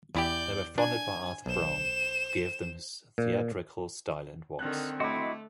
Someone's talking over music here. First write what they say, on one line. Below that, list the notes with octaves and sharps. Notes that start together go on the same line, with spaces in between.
They were fronted by Arthur Brown, who gave them his theatrical style and voice.
E2 E4 G4 D5 G6
D4 G#5 G#6
B1 C5 E7
A#2
D3 D#3 C4 F#6
A3 E4 F#4 D#5 C6 D6